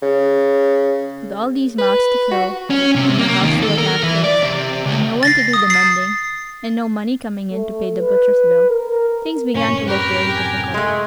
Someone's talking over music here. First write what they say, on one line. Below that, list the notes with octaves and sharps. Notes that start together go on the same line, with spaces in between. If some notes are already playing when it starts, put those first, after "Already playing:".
With all these mouths to fill, and the house to look after, and no one to do the mending, and no money coming in to pay the butcher's bill, things began to look very difficult.
C#3
B4
F#4
C#4
C3
A#3
D#2
A4
A#4
E3
D5
C3
C#2
A6 A#6 C7
D#6
A6 C7
A3
B4
A#4
F#2 A2 C3 C#4
G4 A#4 B4
G#5
G#3 A3